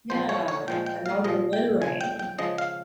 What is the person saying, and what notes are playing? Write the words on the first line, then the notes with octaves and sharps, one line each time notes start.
Yeah, and now you're littering.
A#2 F3 G#3 C5
C#5
C#5
A#2 F3 G#3 G5
G5
F5
A#2 F3 G#3 D#5
G5
C#3 F3 G#3 G#5
G5
G5
C#3 F3 G#3 D#5
F5